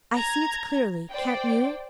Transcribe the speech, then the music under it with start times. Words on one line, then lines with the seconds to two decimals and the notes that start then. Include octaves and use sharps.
I see it clearly, can't you?
0.14 A#5 G#6
1.11 C5 D5 G5